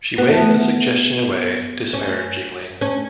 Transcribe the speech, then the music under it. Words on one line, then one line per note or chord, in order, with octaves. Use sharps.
She waved the suggestion away disparagingly.
B3
A3
B3
C#4
C#4